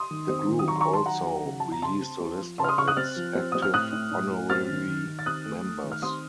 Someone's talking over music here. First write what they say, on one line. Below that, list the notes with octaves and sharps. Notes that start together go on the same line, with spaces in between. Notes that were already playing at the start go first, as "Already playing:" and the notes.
The group also released a list of its active honorary members.
Already playing: C6 D#6
D#3
C4
D#3
D#6
F#3 A#5 C#6
C6
A#5 C#6
F#3
A5 C6
D#3 F#5 A#5
F#3
C#3
F3 A5
A#5
C#3 A5 C6
C4
C4
F3
C#3 A5 C6
F6
C6 D#6
C#3 C#6 F6
D#6 F#6
C4 F6 A6
F3
C4
C4 D#6
F6
A2 D#6 F#6
A2
A2
A2
C4 F6 A6
D#3
D#3
D#3
A6
C4 D#6 F#6
A3
A3
D#3
F6
C4 C6 D#6